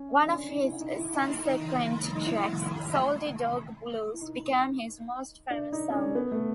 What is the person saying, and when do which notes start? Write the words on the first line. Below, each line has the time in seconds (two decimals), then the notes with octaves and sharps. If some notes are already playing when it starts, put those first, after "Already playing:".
One of his sunsequent tracks, "Salty Dog Blues", became his most famous song.
Already playing: C#4
0.27 D4
0.32 C#4
0.49 D#4
0.64 E4
0.81 D#4
0.97 E4
1.13 D#4
1.45 D#4
2.15 D#4
2.26 E4
4.14 E4
4.21 D#4
5.51 D4
5.72 D#4
5.90 C#4
5.94 D4
6.15 B3
6.32 A3